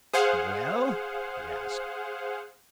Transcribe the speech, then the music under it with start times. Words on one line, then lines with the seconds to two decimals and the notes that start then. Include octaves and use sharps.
"Well?" he asked.
0.13 G#4 C5 F5 F#5